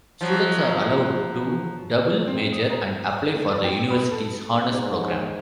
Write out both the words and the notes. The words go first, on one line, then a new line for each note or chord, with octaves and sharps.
Students are allowed to double-major and apply for the university's honors program.
F3 F#3
C4
D#6
A#5
A3
D5
G5
B5
A4
G#2